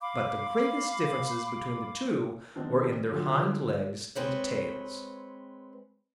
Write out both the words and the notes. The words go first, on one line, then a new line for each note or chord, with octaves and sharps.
But the greatest differences between the two were in their hind legs and tails.
F5 B5 D6
D#3 B3 C4 D4
D3 F#3 F4 G4
G#3 C4 B4 C#5